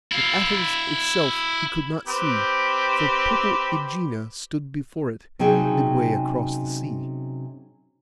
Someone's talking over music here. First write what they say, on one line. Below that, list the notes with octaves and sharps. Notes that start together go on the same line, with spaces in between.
But Athens itself he could not see, for purple AEgina stood before it, midway across the sea.
E4 F5
C4 G4 B4
C3 F#3 C#4 D#4 G#4 G5